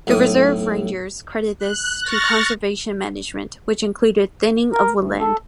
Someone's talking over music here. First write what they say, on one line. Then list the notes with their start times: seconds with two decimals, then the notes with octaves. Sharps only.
The reserve rangers credit this to conservation management, which included thinning of woodland.
0.07 B1 A2 D#6
1.59 F#6
2.01 C#6 F6 F#6 A6 A#6
4.73 A#4
4.97 D2
5.20 A4